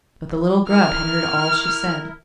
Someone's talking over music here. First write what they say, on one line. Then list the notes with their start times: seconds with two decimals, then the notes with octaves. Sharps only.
But the little Grub had heard all she said.
0.69 E4 A#4 F6